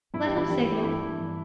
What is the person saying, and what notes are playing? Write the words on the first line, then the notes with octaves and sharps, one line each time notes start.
"Let him signal."
G2 E4
G4
E3
E4
G2 G4
E3 E4
G4
G2 E4
E3
G2